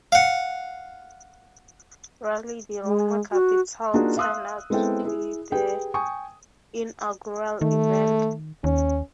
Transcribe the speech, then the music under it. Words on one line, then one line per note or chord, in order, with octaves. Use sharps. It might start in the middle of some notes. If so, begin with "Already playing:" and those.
Rally di Roma Capitale turned out to be the inaugural event.
F5 F#5
G#3
F#4
A#3 D4 D#4 F4 F#4 G#4
E5 F5 C6 D#6 E6 F#6
G#3 B3 C4 E4 A4 G5
E4 G#4
G4 G#4 B4 G5
G5 G#5 C#6 D#6
D#3 A3
D#2 C#4